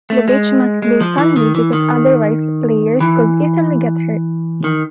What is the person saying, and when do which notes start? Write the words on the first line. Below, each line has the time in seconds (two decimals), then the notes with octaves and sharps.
The beach must be sandy because otherwise players could easily get hurt.
0.10 A3
0.28 G#3
0.82 G#3
1.01 F3
1.18 E3
1.36 D#3
1.55 E3
1.73 D#3
3.01 E3
4.64 D#3